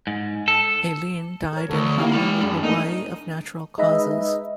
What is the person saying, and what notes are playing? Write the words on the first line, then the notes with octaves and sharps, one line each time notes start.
Aileen died in Honolulu, Hawaii of natural causes.
G#2
A4
A#4 C#5
D2 A4
A#3 D#4 E4 G4
G#3 B5
F#2 D4 G#4
A3 A#3 D4 D#4
G#3 D#4 B4 D#5 E5